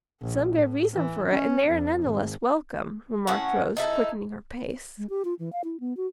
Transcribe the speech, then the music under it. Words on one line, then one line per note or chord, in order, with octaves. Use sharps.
"Some good reason for it, and they are none the less welcome," remarked Rose, quickening her pace.
A#1
A2
E3
C#4
F2
G#1
A2 C#4 F#5
D#4 E4 A4
G#3
G4
F4
E3
F5
E4
B3
F#4